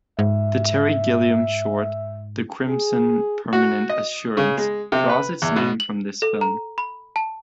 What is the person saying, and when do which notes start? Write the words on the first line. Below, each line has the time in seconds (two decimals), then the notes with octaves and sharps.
The Terry Gilliam short, "The Crimson Permanent Assurance," draws its name from this film.
0.19 G#2 E5
2.69 G#4
3.53 F#4
3.89 D#5
4.37 C#3
4.58 G#3
4.92 C3
5.09 B4
5.42 E2
5.56 B2
5.80 F#7
6.22 A4
6.41 A#5
6.78 B5
7.16 A5